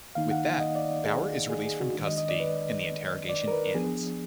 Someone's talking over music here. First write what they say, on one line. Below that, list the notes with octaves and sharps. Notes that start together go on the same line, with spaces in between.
With that, Bauer is released from custody and the interrogation ends.
D#3 A#3 D#4 F5
F#5
D#5
D5
G#4
G#4
G#4
F#4
D#3 G#3 D4
D#5
D#5
D5
B4
D5
A#4
B4
F3 B3 D4 G#4